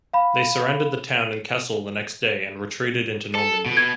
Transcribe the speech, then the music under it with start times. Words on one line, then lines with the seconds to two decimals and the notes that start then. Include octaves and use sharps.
They surrendered the town and castle the next day and retreated into Normandy.
0.13 F5 B5
3.35 A4
3.66 B2
3.77 G#6